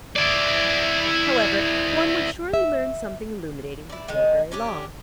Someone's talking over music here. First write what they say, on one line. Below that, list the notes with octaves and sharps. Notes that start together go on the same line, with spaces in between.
However, one would surely learn something illuminating before very long.
E4 D5
E5
E4 D5
D#3 G#3
C#4 D4 G4